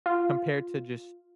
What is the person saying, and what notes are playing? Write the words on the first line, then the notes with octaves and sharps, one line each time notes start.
compared to just
F4